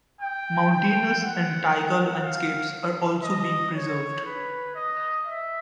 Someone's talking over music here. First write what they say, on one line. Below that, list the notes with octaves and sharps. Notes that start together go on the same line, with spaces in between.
Mountainous and taiga landscapes are also being preserved.
G5
G5
F#5
F5
D#5
C#5
B4
D#5
E5